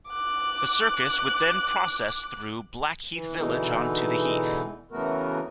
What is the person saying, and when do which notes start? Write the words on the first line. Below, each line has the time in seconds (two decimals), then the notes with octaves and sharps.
The circus would then process through Blackheath Village on to the heath.
0.10 D6 F#6
3.13 E3
3.36 B2 D3 E3 G#3 D#4 E4
4.91 C#3 E3 A3 B3 F#4 A#4